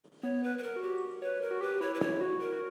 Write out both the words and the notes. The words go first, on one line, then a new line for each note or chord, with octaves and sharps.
The Red Lodge cemetery contains a memorial.
B3 C#5
B4
B4
A#4
F#4
G4
B4 C#5
A#4
F#4
G4 B4
E4 C#5
B4
C#5
F#4
A#4
F#4